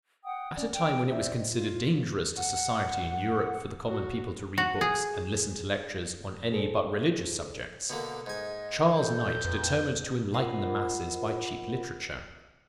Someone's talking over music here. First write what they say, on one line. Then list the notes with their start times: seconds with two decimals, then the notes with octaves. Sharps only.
At a time when it was considered dangerous to society in Europe for the common people to read books and listen to lectures on any but religious subjects, Charles Knight determined to enlighten the masses by cheap literature.
0.23 F#5 G5 D#6
0.56 C#4 D5
0.73 G5
1.10 C5 D5 E5
1.35 D#5
1.52 F4
2.37 F#5
3.88 F#4
4.58 F#4
4.81 G#4
6.52 G#4 A4 C5
7.90 B2 D3 A#3
8.26 G#2 D#5 G#5
8.96 A4 G6
9.45 F2 B4
10.34 F4 A#4 C5 D#5 F#5 B5